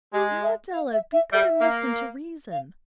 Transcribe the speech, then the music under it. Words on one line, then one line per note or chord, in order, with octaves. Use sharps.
"Now, Adela, be good and listen to reason."
G#3 G4
E5
F5
E5
E5
G3 E5
A#3
F5